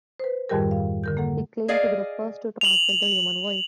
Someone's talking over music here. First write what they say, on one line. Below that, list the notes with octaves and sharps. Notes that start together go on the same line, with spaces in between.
He claimed to be the first to transmit the human voice.
B4 C5
F2 G#2 D#3 G3 G4 A#4
F5
D3 A#4 G6
A#3 A4 F#5
G#4 D5 D#5 F5
F7 F#7